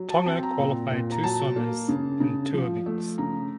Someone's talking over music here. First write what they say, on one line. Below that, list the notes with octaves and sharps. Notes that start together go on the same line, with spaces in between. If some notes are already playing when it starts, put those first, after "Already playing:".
Tonga qualified two swimmers in two events.
Already playing: F#3
A5
C4 A5
A#5
A#2
A#2
A#5
F#3 A5
A#3
C#3
C#3
F3
A3
C#3 A#5